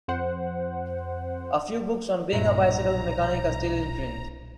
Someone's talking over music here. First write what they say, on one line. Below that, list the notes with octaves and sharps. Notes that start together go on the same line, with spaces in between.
A few books on being a bicycle mechanic are still in print.
F2 C5 F#5
B1 G2 A#2 E5 A#5